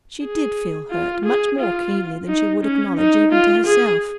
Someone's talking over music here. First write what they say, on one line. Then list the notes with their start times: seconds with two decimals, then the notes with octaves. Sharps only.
She did feel hurt--much more keenly than she would acknowledge even to herself.
0.23 G#4
0.91 F4
1.25 G#4
1.60 F4
2.28 D#4
2.63 C#4
2.98 D#4
3.32 F4
3.66 G#4